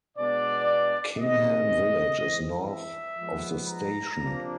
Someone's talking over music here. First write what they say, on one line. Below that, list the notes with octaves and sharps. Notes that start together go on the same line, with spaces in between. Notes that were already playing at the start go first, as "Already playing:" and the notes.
Kingham village is north of the station.
B2 G#3 B3 D4 D5
C3 D#3 G#3 D#5
E3 G#3 C4
E5
F3 G#3 B3
A#5
C3 F3 A#3 D4